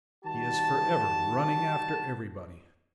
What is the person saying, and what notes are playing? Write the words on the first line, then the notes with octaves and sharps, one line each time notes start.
He is forever running after everybody.
D#3 G3 F#4 A5